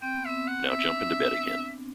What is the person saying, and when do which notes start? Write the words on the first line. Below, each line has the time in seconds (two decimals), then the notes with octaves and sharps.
Now jump into bed again.
0.02 C4 G5
0.16 B3
0.25 C4 E5
0.48 F#5
0.70 E5
0.92 D4